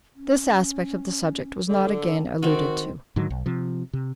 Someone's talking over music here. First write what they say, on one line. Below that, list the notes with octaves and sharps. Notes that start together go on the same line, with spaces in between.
This aspect of the subject was not again alluded to.
C#4
D3 A4
D#3 C4 F#4 A#4
G#2 D3 D#3 F#3
B1
C3 F3
C3